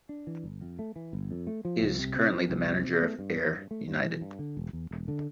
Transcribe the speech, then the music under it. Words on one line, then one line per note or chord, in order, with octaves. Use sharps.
He is currently the manager of Ayr United.
D4
E3
G1
F2
A3
E3
G1
F2
A3
F3
C2
C3
C4
F3
C2
C3
C4
A3
G2
E3
G2
A3
G2
E3
G2
D3
E1
E2
E1
D3